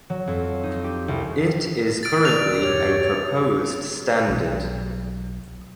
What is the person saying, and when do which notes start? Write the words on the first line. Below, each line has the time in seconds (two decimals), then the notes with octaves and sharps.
It is currently a Proposed Standard.
0.10 F#3
0.27 F2
0.63 D#4
0.84 G4
1.08 C2
2.03 A6 D7
2.25 B4 D5 E6 F6 F7
2.61 E2 G2 B2 G4 C#5
3.08 G4 E5
4.28 B1 F#3